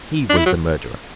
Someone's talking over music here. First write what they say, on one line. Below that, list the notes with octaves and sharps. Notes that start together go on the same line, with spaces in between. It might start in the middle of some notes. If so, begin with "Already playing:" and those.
HE was the murderer!
D4
E4
F#3